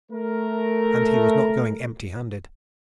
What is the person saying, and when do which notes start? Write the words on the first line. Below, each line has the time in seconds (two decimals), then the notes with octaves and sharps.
And he was not going empty-handed.
0.12 A3 A#4